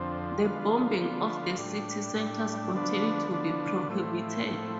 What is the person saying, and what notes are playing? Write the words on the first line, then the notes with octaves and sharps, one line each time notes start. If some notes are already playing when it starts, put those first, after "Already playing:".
The bombing of the city centers continued to be prohibited.
Already playing: F2 D3 F3 C4
D3 F3 B3 F4
D3 F3 B3 F4
A2 G3 D4
A2 G3 D4
D3 F3 B3 D4
D3 F3 B3 D4
A2 F3 A3 C4 E4
A2 F3 A3 C4 E4